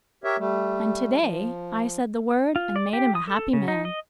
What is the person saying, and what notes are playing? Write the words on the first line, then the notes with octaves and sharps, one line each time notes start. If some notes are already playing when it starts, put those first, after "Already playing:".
And to-day I said the word an' made him a happy man.'
G4 A#4 C#5 E5
G3 A3
F3
F4
D5
G4
D#6
A4
C#3
D#4
D#5